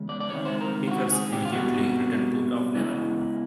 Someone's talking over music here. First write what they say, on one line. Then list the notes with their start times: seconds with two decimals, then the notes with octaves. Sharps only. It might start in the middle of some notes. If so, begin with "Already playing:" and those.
Kickers immediately returned to top level.
Already playing: E2 C#3 G#3 C#4
0.09 D5
0.20 D5
0.30 C#2 C3 D#3 C#5
0.45 C5
0.61 A#4
0.88 F4
0.91 F#4
1.12 G#4
1.33 G4
1.45 F4
1.53 C2 B2 G3 A#3 F#4
2.75 E2 C#3 E3 G#3